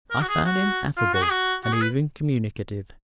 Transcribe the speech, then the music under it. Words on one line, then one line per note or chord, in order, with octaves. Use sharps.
I found him affable and even communicative.
A#4
F#4
G#4
F#4
F4
F#4
G#4
F#4
F#4
G#4
B4